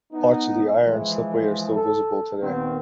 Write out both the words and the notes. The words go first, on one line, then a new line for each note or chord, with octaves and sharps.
Parts of the iron slipway are still visible today.
B3 D#4
E3 F3 G#3
A4
D#2 A#2 D#3 B3 C4